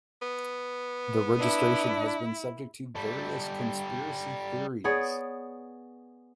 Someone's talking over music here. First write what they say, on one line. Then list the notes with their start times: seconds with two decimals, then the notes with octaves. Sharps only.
The registration has been subject to various conspiracy theories.
0.22 B3
1.39 D4 E4
2.96 G3 A4
4.84 B3 G#4 C#5 D5